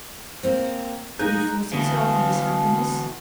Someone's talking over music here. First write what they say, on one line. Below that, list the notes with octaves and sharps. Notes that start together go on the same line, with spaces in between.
Should he force himself on this happiness?
A#3 C4
A#2 D#4 G#4 A#5 F#6 G6
B2 D3 E3 F5